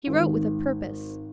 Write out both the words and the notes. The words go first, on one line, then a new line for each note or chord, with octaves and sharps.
He wrote with a purpose.
G#1